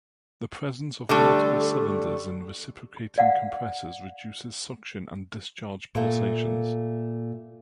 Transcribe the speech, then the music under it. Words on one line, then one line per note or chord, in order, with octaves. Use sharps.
The presence of multiple cylinders in reciprocating compressors reduces suction and discharge pulsations.
D3 G3 A3
D5 F5 F#5
A#2 A3 A#3